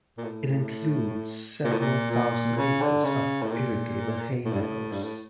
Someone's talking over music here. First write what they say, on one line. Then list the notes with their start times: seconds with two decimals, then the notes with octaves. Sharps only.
It includes several thousand acres of irrigated hay meadows.
0.18 A#2
0.24 A2
1.64 A#2
1.72 A2
1.80 A#2
2.11 A#2
2.57 C#3
2.81 D3
3.04 C#3
3.42 A2
3.51 A#2
4.45 A2
4.52 G2
4.60 A2
4.92 G2
5.03 A2